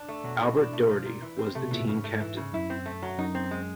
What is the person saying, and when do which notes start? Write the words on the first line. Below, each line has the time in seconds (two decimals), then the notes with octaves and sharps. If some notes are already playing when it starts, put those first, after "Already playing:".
Albert Doherty was the team captain.
Already playing: D4
0.09 A3
0.24 B2 F#3
0.41 A2
0.57 D4
0.73 A3
0.90 F3
1.06 A#2
1.22 E3
1.39 C4
1.55 C3 A3
1.64 B2
1.71 A#2 E3
1.80 A2
1.88 G#2 C#3
2.04 A3
2.20 E3
2.37 C#3
2.53 F#2 E4
2.70 C4
2.86 A3
3.03 F#3
3.18 F#2 D#4
3.35 C4
3.51 G#3